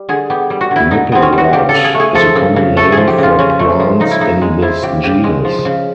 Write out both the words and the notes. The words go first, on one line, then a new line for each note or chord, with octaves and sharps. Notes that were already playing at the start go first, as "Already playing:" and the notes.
Nipplewort is a common name for plants in this genus.
Already playing: G3
D3 G#4
B3 G4
G3
F#4
D3 E4
D3 D#4
B3 C4
C#4
G3
F#4
C#3 G4
A4
C#3
G#4
A3
G#4
F3 A4
C#3
C#3
A3 A4
G#4
F3
G4
C#3 F4
C#3 C#4
A3
F3
C#3 D#4
E4
C#3 D#4
G#3
F3 E4
C#3 G4
C#3 G4
G#3
F3
C#3